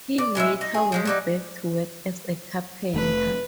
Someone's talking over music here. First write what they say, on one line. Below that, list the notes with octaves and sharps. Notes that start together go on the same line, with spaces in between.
He later went back to work as a carpenter.
D5
A2 G#3 E4 E5
D#4
G#4
F3 G#3 C#4
F#3 G3 D#4
F1 A3 B4